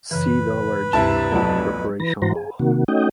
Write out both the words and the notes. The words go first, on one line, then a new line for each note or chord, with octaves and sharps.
See Delaware General Corporation Law.
F#2 C#3 E3 B4
D2 G2 C3 E4 A5
F1 B1 F#3 F#5
E3 B4 A#6
G#2 E3 F#4 C5 A#5
G#4
C3 D#3 A#3 F#4
A3 C#4 D#4 F#4 D#5 G5